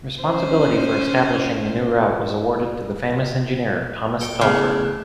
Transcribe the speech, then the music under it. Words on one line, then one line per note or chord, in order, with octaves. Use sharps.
Responsibility for establishing the new route was awarded to the famous engineer, Thomas Telford.
C#4 C5
A4 G5
E2 A2 C#3 D4